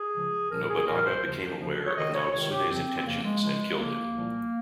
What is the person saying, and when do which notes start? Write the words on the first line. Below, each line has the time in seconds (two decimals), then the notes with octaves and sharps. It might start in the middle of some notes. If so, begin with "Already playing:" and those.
Nobunaga became aware of Naotsune's intentions, and killed him.
Already playing: G#4
0.15 C#2 C#3 F3
0.50 C2 A#2 F3 A#4
0.69 G#4
0.87 C2 A#2 F3 A#4
1.05 C5
1.23 D#2 C#3 F3
1.60 D#2 C#3 F3
1.86 C#5
1.96 C#2 C3 D#3 D#5
2.14 C#5
2.33 C#2 C3 D#3 C#5
2.51 G4
2.69 F2 C#3 F3 C4
2.96 C4
3.05 F2 C#3 F3 A#3
3.23 G#3
3.41 C#2 C#3 F3 G#3
3.78 C#2 C#3 F3 A#3
4.14 C2 A#2 F3